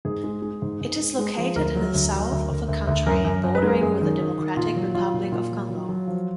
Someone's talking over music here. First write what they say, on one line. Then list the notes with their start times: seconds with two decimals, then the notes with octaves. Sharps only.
It is located in the south of the country, bordering with the Democratic Republic of Congo.
0.05 G#2 G#4
0.24 G#3
0.42 G#3
0.62 G#2
0.81 G#2
0.99 G#3
1.19 G#3
1.37 F3
1.56 D2 A#4
1.75 F#3
1.94 D2
2.12 F#3
2.31 D2
2.50 D2
2.68 D2
2.87 D2
3.06 F#2 A#4
3.25 F#2
3.44 F#2
3.55 B4
3.63 G#3 A#4
3.81 F#2 G#4
4.01 D#3
4.20 D#3
4.38 D#3
4.56 A#2 F4
4.76 F#3
4.94 F#3 F4
5.14 A#2
5.32 A#2 F4
5.51 F#3
5.69 F#3
5.88 F#3
6.07 F3